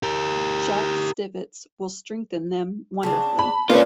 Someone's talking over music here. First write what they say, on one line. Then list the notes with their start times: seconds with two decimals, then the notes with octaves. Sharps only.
Jack Stivetts will strengthen them wonderfully.
0.03 G4 A#4
3.03 C#3 C4 D4 A5
3.39 B5
3.70 A#3 C#4 D4 F4 G#4 B4 D5